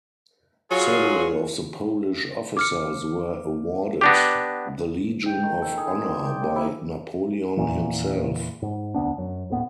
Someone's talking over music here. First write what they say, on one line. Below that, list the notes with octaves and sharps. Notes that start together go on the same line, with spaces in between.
Several of the Polish officers were awarded the Legion of Honour by Napoleon himself.
F#3 F4 G#4
D6 F6 C#7
B3 D4 G4 D6 A#6
G5
D#3
A4
G#4
C4
D5
G5
A#3
E4
E2 A#2 E3
G#2
E1 D2 B3 D4
F#2
D#1 A2 B3